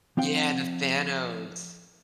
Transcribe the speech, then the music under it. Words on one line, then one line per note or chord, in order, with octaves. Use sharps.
Yeah, the Thanos.
F3 C4 F5 G5